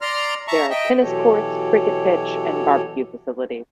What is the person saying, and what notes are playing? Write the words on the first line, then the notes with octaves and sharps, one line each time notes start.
There are tennis courts, cricket pitch and barbecue facilities.
D5 A#5 C6 F6
E5 A5 A#5 C#6
D#5 E5 G5
B2 E3 F#3 G4 A4 C#5